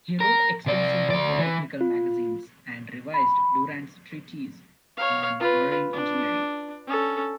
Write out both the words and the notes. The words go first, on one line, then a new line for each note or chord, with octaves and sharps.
He wrote extensively for technical magazines and revised Durand's treatise on "Marine Engineering".
A#4
C3 D5
D2 D5
E3
F4
B5
C#5 F5
F4 B4
D4
C#4 A4